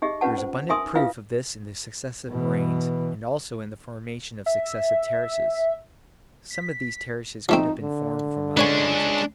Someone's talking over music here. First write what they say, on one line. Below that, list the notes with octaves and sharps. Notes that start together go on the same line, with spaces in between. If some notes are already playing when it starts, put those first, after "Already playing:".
There is abundant proof of this in the successive moraines and also in the formation of successive terraces. Some of these terraces could have been formed from other causes.
D#4 G4 G#4 D#5 E5
C#4 F4 G4 B4 F#5 A5
C5
D#4 A#4 E5 G#5 C6 D#6
E4 F4 B4 E5 F5
B2 E3
E5
B6
F3 A3 C4 D#4
D3
G#3 C#4 D4 B4 C#5 G#5